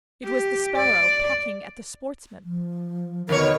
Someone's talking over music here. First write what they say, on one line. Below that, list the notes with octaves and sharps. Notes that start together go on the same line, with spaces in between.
It was the sparrow pecking at the sportsmen.
G4
D5
F3
D#2 B2 D3 A#4 C#5